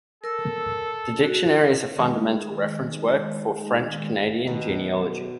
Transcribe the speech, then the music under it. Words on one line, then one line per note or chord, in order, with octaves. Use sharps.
The Dictionary is a fundamental reference work for French-Canadian genealogy.
A4 A#4 E6
F#4
D#3 G#3
B2 D#3 A#5